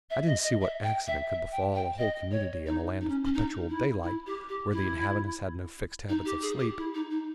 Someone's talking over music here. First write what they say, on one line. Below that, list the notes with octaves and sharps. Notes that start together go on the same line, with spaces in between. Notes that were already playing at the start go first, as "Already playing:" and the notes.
I didn't see what accident could befall a whole community in a land of perpetual daylight where the inhabitants had no fixed habits of sleep.
E5
D#5
D#5
E5
G5
E5
E5
G5
G5
D#5
C#5
D#4
D#4
C#4
C#4
D#4
E4
E4
G4
G4
E4
D#4
G4
G#4
G4
E4
D#4
D#4